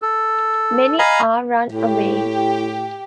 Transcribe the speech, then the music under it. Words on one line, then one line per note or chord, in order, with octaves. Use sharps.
Many are "runaways".
A4
D#5 F5 G#5 A#5 B5
A2 G4